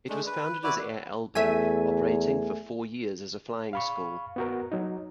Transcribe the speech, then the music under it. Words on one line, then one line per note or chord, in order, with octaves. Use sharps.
It was founded as Air Alba, operating for four years as a flying school.
G#3 A3 D4
B4
E4 F#4 B4 D5
E2 A3 E5 G#5 B6 D#7
F5 B5 C#6
B3 F#4 A#4
F#3 D#4